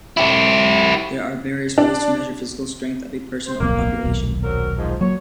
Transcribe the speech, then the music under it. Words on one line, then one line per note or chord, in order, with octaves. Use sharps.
There are various ways to measure physical strength of a person or population.
E4 G4
D4
C5
D1 B1 F2 A#3
D#1 B1
F#3 C4 A#4
G#2 F3
F#3 A#3 C#5